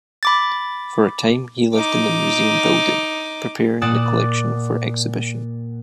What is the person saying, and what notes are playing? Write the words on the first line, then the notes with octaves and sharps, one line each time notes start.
For a time he lived in the museum building, preparing the collection for exhibition.
B5 D6 A6
D#4 D6
A#2 D5 F#5 D#6 A6 E7